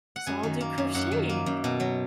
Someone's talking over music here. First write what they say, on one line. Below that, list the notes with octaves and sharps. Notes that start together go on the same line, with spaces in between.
so I'll do crocheting."
F#5
F#2 G#5
D#3
A#3
F#2
F#2 F#5
D#3
A#3
F#2
B2
F#3